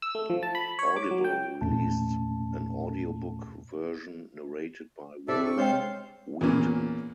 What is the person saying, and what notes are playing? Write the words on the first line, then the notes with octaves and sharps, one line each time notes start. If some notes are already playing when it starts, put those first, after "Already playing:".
Audible released an audio book version narrated by Wil Wheaton.
E6
A3
F3
A5
B5
C#5
D6
F#3
G5
E2 A#2 A3 C#4 A5
C3 A4 D5 E5
D4 C#6
G#3 C5 C#5 D#5 F5 G5 G6
E2 A#2 C#4